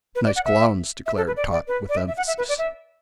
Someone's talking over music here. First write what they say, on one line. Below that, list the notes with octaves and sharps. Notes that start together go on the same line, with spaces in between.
"Nice Clowns," declared Tot, with emphasis.
B4
D5
F#5
E5
E5
A4
B4
D5
D5
B4
D5
E5
E5
F#5
E5
B4
D5
E5